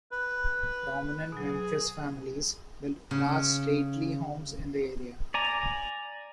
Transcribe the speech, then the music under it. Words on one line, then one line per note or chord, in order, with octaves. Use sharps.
Prominent Memphis families built large stately homes in the area.
B4
B2 F#3 G#4
C#3
D5 G#5 A#5